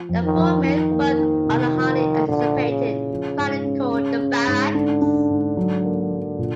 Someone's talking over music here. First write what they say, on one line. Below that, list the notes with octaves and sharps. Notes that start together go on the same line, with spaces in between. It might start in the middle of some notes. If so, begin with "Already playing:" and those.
The four men worked on the highly anticipated Pilot called The Barracks.
Already playing: F3
F2
D#3
F2
D#3 D#4
A#3
D#4
C3
F3
F3
A#2 D3
A#2
C#3
E4
F3
G#2
C#4
C#4
C#4
G#2
D3 D4
D4
G#2
F#3
A#3
F#3
A#2